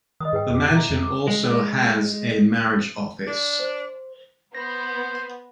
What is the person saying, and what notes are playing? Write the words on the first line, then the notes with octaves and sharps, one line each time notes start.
The mansion also has a marriage office.
D#3 D#5 B5 D#6
G#2 G#4 B4 G5
F2 F#4 G4 D6
A#2 E5 A#5
F2
D6
G#3
D4
C5
B3 C5 A#6